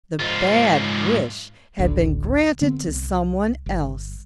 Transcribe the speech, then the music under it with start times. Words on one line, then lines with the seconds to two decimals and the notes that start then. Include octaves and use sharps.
The bad wish had been granted to someone else.
0.20 G#2 F4
1.79 D#1 A1 D2 D3
2.61 D3 B3 C4
2.88 C2
3.66 G1